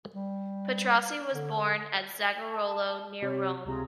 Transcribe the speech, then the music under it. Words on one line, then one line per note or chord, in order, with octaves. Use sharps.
Petrassi was born at Zagarolo, near Rome.
G3
D3
A5
C3 G4 C#5
C#2 C3 F4 G#4 A#5